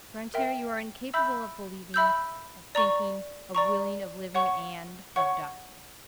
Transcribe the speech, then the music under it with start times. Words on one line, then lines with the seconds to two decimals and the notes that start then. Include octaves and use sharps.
"Grantaire, you are incapable of believing, of thinking, of willing, of living, and of dying."
0.34 A#4 E5 G5
1.14 E5 B5 E6 G6
1.94 E5 B5 E6 G6
2.75 D5 A#5 C#6
3.55 D5 A#5 C#6
4.35 C#5 F#5 C#6
5.16 C#5 F#5 C#6